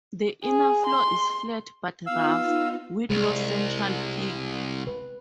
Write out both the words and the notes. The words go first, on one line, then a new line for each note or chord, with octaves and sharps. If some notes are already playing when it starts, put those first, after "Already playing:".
The inner floor is flat but rough, with no central peak.
G#4
C6
B3 D#4 F4 F5 E6
C2 G#3
B4